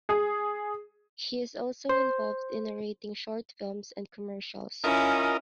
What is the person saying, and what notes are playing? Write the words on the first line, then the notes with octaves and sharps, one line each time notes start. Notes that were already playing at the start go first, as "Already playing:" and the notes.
He is also involved in narrating short films and commercials.
G#4
C5
C#4 E4 F4 A#4 D#5